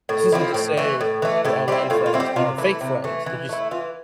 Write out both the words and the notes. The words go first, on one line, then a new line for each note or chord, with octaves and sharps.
this isn't to say your online friends are fake friends, they just
A2
F3 C4 E4
A2
E3 A3
A2
E3 A3
A2 A4
G3 C4 E4 G4
A2 F4
F4
G3 C4 E4
G4
C3 F4
E3 A3 E4
C3
E3 A3
E3
A3 E4
E3 F4